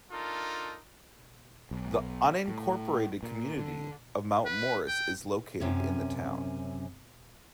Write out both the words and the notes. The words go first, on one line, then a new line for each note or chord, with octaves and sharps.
The unincorporated community of Mount Morris is located in the town.
D4 D#4 F4 A4 A#4
B1
A2
A#2
D3
B4
G5
F#2 C3 C#4